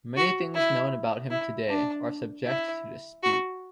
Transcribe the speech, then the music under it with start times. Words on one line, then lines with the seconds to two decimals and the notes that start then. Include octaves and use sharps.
Many things known about him today are subject to dispute.
0.16 F#4
0.54 E4
1.31 E4
1.69 D4
2.46 E4
3.23 F#4